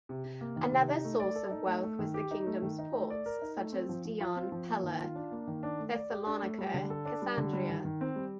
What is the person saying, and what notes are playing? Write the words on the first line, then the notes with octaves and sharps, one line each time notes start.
Another source of wealth was the kingdom's ports, such as Dion, Pella, Thessalonica, Cassandreia.
C3
C3
A#3
D#3
C3
D#4
A3
D5
A4
D#4
A3
A3
D#3
G4
D#4
A3
D#3
D#4
A3
D5
A#4
D#4
A3
C4
F3
F3
F4
C4
F3
A#3
D#3
F4
D4
A#3
D#3
D4
A3
D5
G4
D4
A3
G3
D3
A4
D4
G3
D3
G3
D#3
D#3
C4
G3